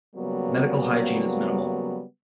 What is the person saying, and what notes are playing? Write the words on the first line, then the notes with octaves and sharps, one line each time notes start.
Medical hygiene is minimal.
C#3 F#3 G3 A#3 B3